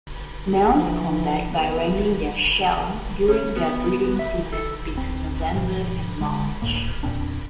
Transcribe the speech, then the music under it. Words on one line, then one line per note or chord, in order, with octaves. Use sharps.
Males combat by ramming their shell during their breeding season between November and March.
E3 F3
B3 G#4
C#4
B3
E5
A4
D1 C4
G#2 B2 F3
D3 G#3
C#2 A2 A#3
E2 A#2 C4 D4